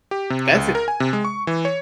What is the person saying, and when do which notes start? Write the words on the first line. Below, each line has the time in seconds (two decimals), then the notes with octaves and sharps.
that's i
0.11 G4
0.30 C3
0.55 C#2
0.75 A#4
0.88 G#5
1.00 C3
1.13 G#3
1.25 C#6
1.47 E3
1.65 C#5